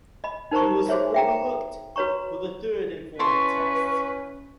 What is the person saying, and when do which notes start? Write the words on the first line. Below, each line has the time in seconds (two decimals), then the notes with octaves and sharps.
He was overlooked for the third and fourth tests.
0.24 D#5 B5
0.51 D#4 A#4 C5 A#5 C#6
0.89 F#4 G#4 C5 C#5 E5
1.14 E5 G5 A#5
1.96 F#4 B4 C#5 A#5 C#6
3.19 C#4 E4 B4 A5 C6 C#6